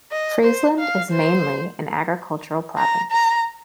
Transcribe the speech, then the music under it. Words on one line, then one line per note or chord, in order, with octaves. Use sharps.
Friesland is mainly an agricultural province.
D#5
C5
F5
C5
A#5
A#5